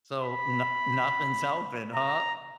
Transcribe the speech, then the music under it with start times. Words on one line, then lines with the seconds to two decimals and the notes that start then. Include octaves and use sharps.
So, no nothing's helping, huh?
0.23 B5
1.94 A#5